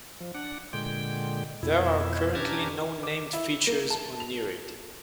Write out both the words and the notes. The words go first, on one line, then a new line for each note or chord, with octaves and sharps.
There are currently no named features on Nereid.
F3
D4 F#5
A#2 D3 G#3 G5
F2 B2 E4
C#4 D4 G4 A5 A#5 G#6
D6
E4
A#3
A5
F7